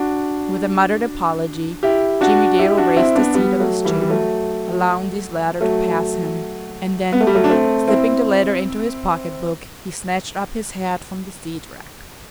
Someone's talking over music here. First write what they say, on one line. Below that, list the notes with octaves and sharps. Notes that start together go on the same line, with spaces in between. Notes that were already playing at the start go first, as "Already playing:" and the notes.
With a muttered apology, Jimmie Dale raised the seat of his chair, allowing these latter to pass him--and then, slipping the letter into his pocketbook, he snatched up his hat from the seat rack.
Already playing: D4 F#4
E4 G4
D4 F#4
E4 G4
D4 F#4
C4 E4
B3 D4
G3 B3
F#3 A3
E3 G3
G3
F#3 A3
F#3 A3
B3
A3
G3
F#3 A3
D4
A3 C4
C4 E4